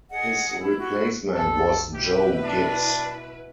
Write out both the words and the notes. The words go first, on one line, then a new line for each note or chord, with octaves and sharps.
His replacement was Joe Gibbs.
G#4 D#5 F#5
E4
E4 F#4
B1 F2 A4
B2 E4 G4 B4
D4